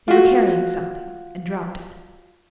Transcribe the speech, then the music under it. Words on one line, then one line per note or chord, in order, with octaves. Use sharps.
They were carrying something, and dropped it.
F4 F#4